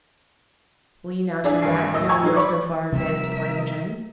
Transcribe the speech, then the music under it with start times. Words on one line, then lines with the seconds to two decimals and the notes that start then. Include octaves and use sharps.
Will you now turn back, now you are so far advanced upon your journey?
1.44 D4 E4 G#4 D5 E5 G#5
1.62 G#1 G2 G#5 C7
1.92 D#2 A2 D#5 E6
2.09 G5 G#5 A#5 C#6 E6 G#6
2.23 F#3 D#4 F4 G#4 C5
2.36 D5 B5 C#6 D6
2.92 C3 F3 G3 A#4 E5